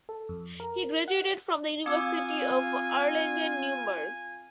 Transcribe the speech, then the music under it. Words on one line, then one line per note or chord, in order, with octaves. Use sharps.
He graduated from the University of Erlangen–Nuremberg.
A4
F2
A#4
F#5
C4 F4 G#5 D6 E6